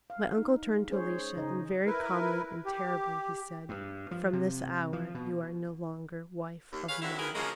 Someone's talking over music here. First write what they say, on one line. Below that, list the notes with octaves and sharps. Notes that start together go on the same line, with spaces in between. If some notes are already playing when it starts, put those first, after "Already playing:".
My uncle turned to Alicia, and very calmly and terribly he said, "From this hour you are no longer wife of mine!"
F5
D#4
G#3
C#4 G#4 C5 C#5
C#3 D#4 D#5
E4 A#4 B4
G4
G2
F3
C3
F3
B2
D#2
G#4 B4 C#5 F5
D3 F#3 C4 E4
D2 D#3 G#4 A#4 B4
C#3 F3 F#3 G#3 A#3